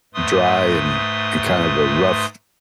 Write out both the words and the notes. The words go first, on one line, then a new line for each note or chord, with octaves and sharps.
dry and and kind of a rough
G#2 A3 B4 C6 D#6